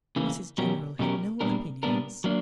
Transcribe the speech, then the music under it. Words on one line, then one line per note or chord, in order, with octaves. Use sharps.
Mrs General had no opinions.
C#3 E3 A#3
B2 F#3 C#4 G4 A#4
B2 F#3 C#4 G4 A#4
A#2 G3 B3 D4 A#4
A#2 G3 B3 D4 A#4
F#3 A#3 D4